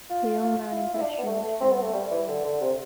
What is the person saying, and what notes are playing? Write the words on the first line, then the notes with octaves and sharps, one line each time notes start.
The young man in question is Phil McRory.
F4
F4
F4
F4
E4
F4
E4
D4
B3
A3
A3
C4
B3
A3
G3
E3
D3
D3
C3